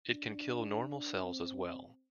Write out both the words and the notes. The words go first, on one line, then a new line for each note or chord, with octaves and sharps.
It can kill normal cells as well.
D4
C4